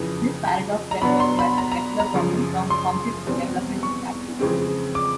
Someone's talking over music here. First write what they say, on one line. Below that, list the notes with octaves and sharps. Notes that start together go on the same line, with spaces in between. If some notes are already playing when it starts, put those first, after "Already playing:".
This paradox, referred to as the "Kepler problem," prompted the development of calculus.
Already playing: F2 C#3 E3
A#5
B2 F#3 B3 D4 B5
C6
B5
A#5
A#5
A#5
F#2 C#3 F3
C6
E2 B2 G3 C4
C#6
F2 C#3 E3 G#3 C4
D6